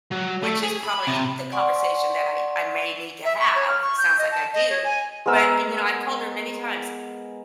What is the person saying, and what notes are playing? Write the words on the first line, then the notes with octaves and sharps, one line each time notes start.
which is probably the conversation that I I may need to have, it sounds like I do, but e mean, know, I've told her many times,
F#3
A3
G#4
B5
C3
D5 F#5 G#5 C6 C#6
E5
C#6
C#5
F6
C#6
G6
D#5
A5
D#5
C#5
G#5
G#3 B3 A#4 E6